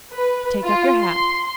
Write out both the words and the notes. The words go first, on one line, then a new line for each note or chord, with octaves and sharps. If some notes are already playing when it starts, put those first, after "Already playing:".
Take off your hat.
B4
F4
C6